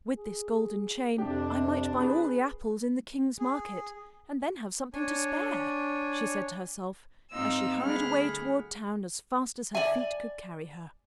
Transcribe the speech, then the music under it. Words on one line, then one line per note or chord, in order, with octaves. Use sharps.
"With this golden chain I might buy all the apples in the king's market, and then have something to spare," she said to herself, as she hurried away toward town as fast as her feet could carry her.
G#4
F2 C3 D4 G4
G#4 B4
G#4
D4 C#5 G#5
G#2 C4 D#4 F4 F5 E6
D2 G3 G#4 F#5 B5 F6
D5 E5 G#5